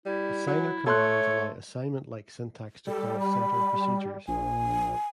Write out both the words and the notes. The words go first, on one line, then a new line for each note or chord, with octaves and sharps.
Assigner commands allow assignment-like syntax to call "setter" procedures.
G3 E4
F#3
A3 A4 C#5 C6 F#6
G3 A4
B5
A#1 G#5